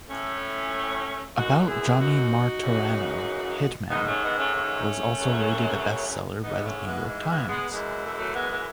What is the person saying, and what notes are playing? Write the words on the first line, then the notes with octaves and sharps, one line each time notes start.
About Johnny Martorano, "Hitman" was also rated a best-seller by the "New York Times".
A2 E3 A3 C#4
F#2 E3 D#4 F#4
F#4
E4 G#4
D#4 F#4
F#2 C#3 E3
G#2 D#3 B3 D#4
A3 C#4
B3 D#4
A3 C#4
A3 C#4
F#2 C#3 E3
G#2 E3 B3 D#4
B3
A3 C#4
G#3 B3
G#3
G#3 B3
G#3 B3
F#2 E3 G#3
A3
G#3
F#3 A3
G#3 B3
G#3 B3